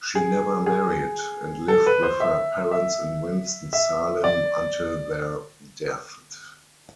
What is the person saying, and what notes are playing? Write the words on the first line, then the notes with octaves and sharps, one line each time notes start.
She never married, and lived with her parents in Winston-Salem until their deaths.
G#4
G#4
A4
B4
C5
E5
E5
E5
D5